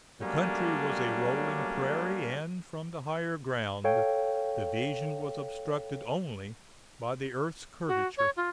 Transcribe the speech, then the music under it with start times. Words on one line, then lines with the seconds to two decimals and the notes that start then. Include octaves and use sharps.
The country was a rolling prairie, and, from the higher ground, the vision was obstructed only by the earth's curvature.
0.21 F#3 G3 A3 A#3 C#4 D4
3.84 A4 C#5 F5 G5
7.87 F#4
8.17 C#5
8.36 F4